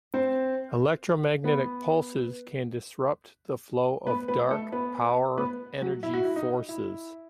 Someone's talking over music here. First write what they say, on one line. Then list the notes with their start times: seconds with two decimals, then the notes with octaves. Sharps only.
Electromagnetic pulses can disrupt the flow of Darque Power energy forces.
0.14 C4 C5
1.44 B3 B4
4.07 B3 B4
4.28 B3 B4
4.50 A3 A4
4.72 B3 B4
5.38 B3 B4
5.82 F#3 F#4
6.03 E4
6.14 F#4
6.25 E4
6.36 D#4
6.69 E4